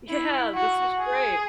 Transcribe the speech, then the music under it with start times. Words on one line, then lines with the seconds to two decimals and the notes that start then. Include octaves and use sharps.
Yeah, this was great
0.09 E4
0.55 F#4
1.00 G#4